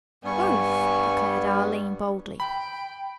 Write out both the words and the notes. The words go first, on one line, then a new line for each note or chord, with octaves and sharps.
"Both," declared Arline boldly.
G2 G3 B3 G#5 C#6
G5 B5